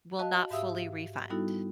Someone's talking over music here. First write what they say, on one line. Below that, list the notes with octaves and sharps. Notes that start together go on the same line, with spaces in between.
will not fully refund.
F#4 D#5 F5 A5
G#2 G4 E5 F5 D#6 E6
G3 B3 D#4 E4 F#4 A4